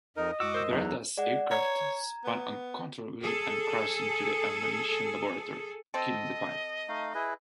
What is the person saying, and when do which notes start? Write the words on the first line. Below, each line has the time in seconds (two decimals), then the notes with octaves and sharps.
Beretta's aircraft spun uncontrollably and crashed into the ammunition laboratory, killing the pilot.
0.17 F2 D#4 A#4 D#5
0.40 F#2 G#3 F#4 F#5 D6 E6
0.54 A#4 C5 E6 F#6 G6
0.71 E2 F#3 B3 D#4 A4 A#5 F#6
1.18 G#3 D5 F#5
1.51 C#5 A#5 G#6
2.25 B3
3.22 G#4 A4
5.94 C4 A4 D#5
6.88 A3 D#4 F5
7.14 E4 G#4 B4